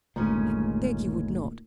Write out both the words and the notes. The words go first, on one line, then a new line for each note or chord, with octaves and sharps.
I beg you would not.
G1 D#2 A#2 C#3 G#3 A3 C#4